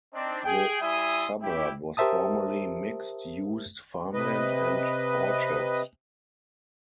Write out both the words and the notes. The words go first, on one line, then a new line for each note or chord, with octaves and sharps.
The suburb was formerly mixed used farmland and orchards.
C4 D4 D#4
G#4 G5
G3 E4 E5 G#5 C6 D#6
E4 G4
G4 A#4 C5 E5 A5 D#6
C3 B4 D#5